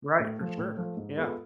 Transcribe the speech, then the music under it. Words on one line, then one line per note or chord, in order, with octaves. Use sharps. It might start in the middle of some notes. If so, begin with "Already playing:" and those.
Right, for sure. Yeah.
A2
F3 A3
A2
F3 A3
G#2
G#3 B3 F4 A4